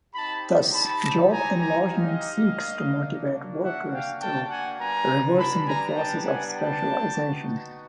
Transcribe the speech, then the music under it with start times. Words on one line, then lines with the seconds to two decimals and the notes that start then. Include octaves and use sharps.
Thus, job enlargement seeks to motivate workers through reversing the process of specialisation.
0.14 C4 D#4 G4 A5 B5
0.72 A5 B5
1.30 G#5 A#5
1.59 G#5 A#5
1.89 D#5 F5
2.47 A#3 D4 F#4
3.63 E5 F#5
3.92 F5 G5
4.21 G5 A5
4.50 F#5 G#5
4.79 G3 B3 D4 G#5 A#5
5.37 A5 B5
5.66 G#5 A#5
5.95 G5 A5
6.24 F#5 G#5
6.53 G5 A5
7.12 B3 D#4 F#4